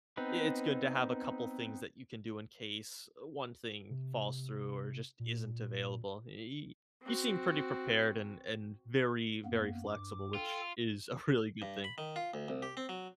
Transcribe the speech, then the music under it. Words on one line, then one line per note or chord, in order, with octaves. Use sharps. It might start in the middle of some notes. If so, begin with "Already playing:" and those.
it's good to have a couple things that you can do in case, uh, one thing falls through or just isn't available. Y you seem pretty prepared and and very, very flexible, which is a really good thing.
B3 C4 D#4 B4
C3
A#2
C4 F#4
F#2 A#3 B3
G2 D6
F4 A4 G5
G2
B5
D#3
F4
D2
C2
G4
C4
F#3